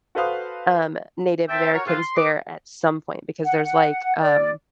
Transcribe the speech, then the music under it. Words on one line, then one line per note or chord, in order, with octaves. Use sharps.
um, Native Americans there at some point, because there's, like, um,
F#4 A4 B4 C5 F5 D#6
C4 E5 G5 A5
F#4 A#4 C#5
G#2 C3 E3 C4 F4
C6
B4 D#5 D6
F#5
F#5
D5